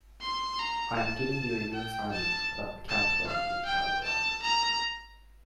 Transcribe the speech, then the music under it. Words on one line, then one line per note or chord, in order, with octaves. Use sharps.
I am giving you a new assignment about the counterargument paragraph.
C6
A#5
A5
G5
A5
A5
F5
G5
A5
A#5